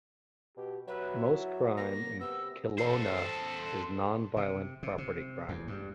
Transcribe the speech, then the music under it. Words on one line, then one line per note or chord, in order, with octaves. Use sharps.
Most crime in Kelowna is non-violent property crime.
B2 G4
F#3 B4 E5
E4
A#3 A#6
C3 B3 E6
A4 C5
C3
C3
C3
E2
G2